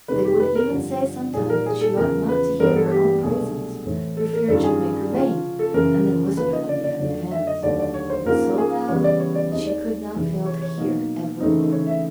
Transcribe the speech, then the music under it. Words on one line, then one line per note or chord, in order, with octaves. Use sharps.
They would even say sometimes that she ought not to hear her own praises for fear it should make her vain, and then whisper them behind their hands, but so loud that she could not fail to hear every word.
F2 C3 D#3 G#3 B4
G4
B4
A#4
G2 D3 F3
A#2 G3 A#3 D#4 G#4
A#4
G#4
A4
E2 C#3 F3 G#3 A#4
B4
G2 E3 G#3 B3 A#4
A4
G4
C2 B2 F#3 A3 D4 G#4
A2 E3 A3 C4
A4
A#4
G2 D#3 G#3 C#4 F4 A4
G#4
C#3 F3 G#3 C#4 F4
A4
F#2 C#3 E3 A#4
C#3 F3 A#3 B4
D#5
D5
D5
F2 D3 F#3 A3 D4
E5
D#5
D#2 D3 F#3 A3 D5
D5
C#5
C5
G#2 F3 A#3 C#4 F4 A#4
G#4
C#3 E3 G3 B3 C#5
D5
C#5
D5
D#2 D#3 G#3 C4 D#5
D5
C3 E3 G#3
C#5
C#5
B2 F#3 A#3 D#4
C#3 E3 A3 C4 D#4
C#5
E5